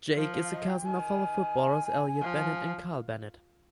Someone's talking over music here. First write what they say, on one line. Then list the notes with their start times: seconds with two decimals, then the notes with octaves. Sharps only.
Jake is the cousin of fellow footballers Elliott Bennett and Kyle Bennett.
0.16 F3 A#4
0.34 F5
0.51 D#5
0.68 G5
0.85 D#3 G#5
2.22 F3